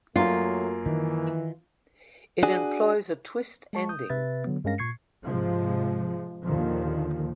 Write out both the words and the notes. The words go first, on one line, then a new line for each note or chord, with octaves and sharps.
It employs a twist ending.
F#2 F#3 A3 A#3 F4
D#3 E3
D4 F#4 G#4
G#3 A5 C#6
D#6 G6
C3 B4 E5 A6
D3 F#3 B3
G2 G#3 C#4 A#4 F5 A#6
A#2 C#6 G#6 C7 C#7
G#2 C3 F3 G#3
D#2 A#2 D3 D#3 F3